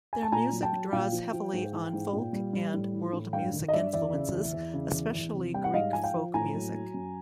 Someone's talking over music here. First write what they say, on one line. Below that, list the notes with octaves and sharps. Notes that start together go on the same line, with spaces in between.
Their music draws heavily on folk and world music influences, especially Greek folk music.
G#5
A5
A#2 G#5 A#5
F#3
G5 A5
F#3
A#2 F5 G5
F3
F3
G#2
E3
G#2
A#2
G3
G3
A2
E3
A2
G2 F5 G5
D#3
D#5
G2 D5 E5
E2 D5 E5
C#3
E2
E2
C#3
E2
E2
C3
G3 G5
F#5
G#2 D#5 F5
F3 G#5
F5 G5
F3
A2 G#5 A#5
F#3
F#3
F#2